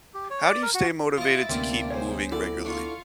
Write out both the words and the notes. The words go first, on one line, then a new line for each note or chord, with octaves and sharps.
How do you stay motivated to keep moving regularly?
G4
C#5
D5
A#4
F#4
E4 F4 D#5 A6 D7
D2 C3 A#3 B3 D4
G#4 C5 C#5
E4 A4 D5 F#5
D4 F4 F5 C#6